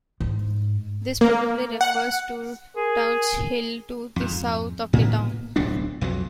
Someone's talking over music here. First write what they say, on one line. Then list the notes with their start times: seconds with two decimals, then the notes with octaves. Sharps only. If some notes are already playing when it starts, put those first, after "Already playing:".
This probably refers to Tuach Hill to the south of the town.
0.20 G#2
1.21 A#3
1.81 F#5
2.76 G#4 A#4
4.16 F2 G#2
4.93 A2 A#3 B3
5.56 D1 B1 C3 D4
6.01 B1 F2 F#3